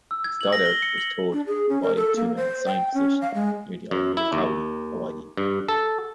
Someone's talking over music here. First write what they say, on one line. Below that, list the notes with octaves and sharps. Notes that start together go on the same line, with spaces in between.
"Stoddard" was towed by to an assigned position near the island of Kauai, Hawaii.
E6
G#6
F#7
A#6
G7
C#7
F#7
D4
G#4
C#4
A#4
A4
A#3
C5
G5
C#4
F5
G#3
F#2
E4
D#2
G2
A4